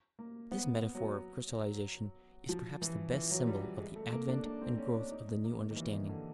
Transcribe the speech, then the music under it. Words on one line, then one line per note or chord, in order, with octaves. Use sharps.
This metaphor of crystallisation is perhaps the best symbol of the advent and growth of the new understanding.
A#3
B3
F#3
F3
E3
E3
F#3
G3
G#3
A3
A#3
D4
D4
C4
C#4
D4
D#4
A#3
D#3
E3
D#3
D3